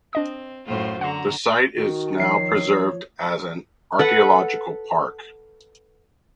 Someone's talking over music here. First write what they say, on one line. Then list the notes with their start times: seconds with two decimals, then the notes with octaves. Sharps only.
The site is now preserved as an archaeological park.
0.13 C4 D4 D#5 D#6
0.67 F#2 A2 F4 C5
1.01 D3 F#4 F#5 A#5 C6
1.77 D#3 F#4
2.20 F3 C#5 C7
3.99 A4 B4 F#5